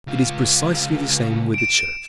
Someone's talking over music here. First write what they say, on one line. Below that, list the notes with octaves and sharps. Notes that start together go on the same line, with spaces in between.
It is precisely the same with the Church.
C#2 F4
D7 E7